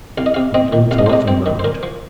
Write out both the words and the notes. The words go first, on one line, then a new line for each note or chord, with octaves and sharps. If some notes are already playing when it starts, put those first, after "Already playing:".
Gwendolen thought for a moment.
C2 F5
D#5
C3 F5
C4 D#5
D#3
C2 F5
D#5
C5
C3 D#5
C4 C5
D#3
C5
A#2 A#4
F3